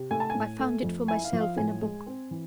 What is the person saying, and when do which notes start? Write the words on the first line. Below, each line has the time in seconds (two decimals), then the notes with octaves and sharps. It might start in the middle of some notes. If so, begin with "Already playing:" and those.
"I found it for myself in a book."
Already playing: C3
0.11 A3 G#5
0.20 A5
0.30 G#5
0.35 A2
0.59 A3
0.84 F2
1.08 E4 G#5
1.24 F5
1.33 F3
1.41 F5
1.57 A2 G#5
1.81 G#3
2.06 C4
2.31 E3